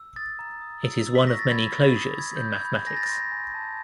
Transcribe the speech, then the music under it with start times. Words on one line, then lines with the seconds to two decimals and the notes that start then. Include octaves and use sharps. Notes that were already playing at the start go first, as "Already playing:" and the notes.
It is one of many closures in mathematics.
Already playing: E6
0.16 D#6 A6
0.39 A#5
0.61 D#6
0.84 E6
1.07 E6
1.15 B6
1.27 C#6 A#6
1.39 A6
1.51 B5 G#6
1.74 B5
1.86 A6
1.96 D#6
2.19 B5 G#6
2.36 G6
2.42 B5
2.53 G#6
2.65 B5
2.87 G#5 A#6
2.97 A6
3.06 C6 A#6
3.32 G#5
3.54 A5